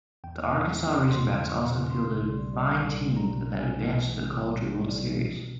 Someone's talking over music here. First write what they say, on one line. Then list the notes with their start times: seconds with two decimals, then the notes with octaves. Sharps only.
The Arkansas Razorbacks also fielded fine teams that advanced to the College World Series.
0.24 E2 G5
0.45 E2
0.66 E2
0.86 E2
1.07 F3 C6
1.28 C#3
1.50 F3 C#6
1.71 C#3
1.91 B2 C6
2.12 B1
2.33 G3
2.53 G3
2.74 B1
2.96 B1
3.16 B1 A#5
3.37 B1
3.59 C3 G#5
3.79 E3
4.00 E3
4.22 C3
4.42 G3
4.63 C3
4.84 G3
5.04 E3
5.26 B2